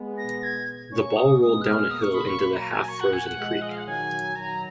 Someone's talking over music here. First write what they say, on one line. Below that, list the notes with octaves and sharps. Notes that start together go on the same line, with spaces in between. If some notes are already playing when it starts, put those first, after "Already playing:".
The ball rolled down a hill into the half-frozen creek.
Already playing: G#3 B3
A#6
G#6
A#3 C#4 C#6
D#6
G#3 B3 D#6
F#6
F6
F#3 A#3 D#6
C#6
B5
C#6
B5
A#5
G#5
C#6
F#5
G#5
F#5
F3 G#3
D#5
F5
F#5
D#3 F#3 G#5
D#3 F#3 A#5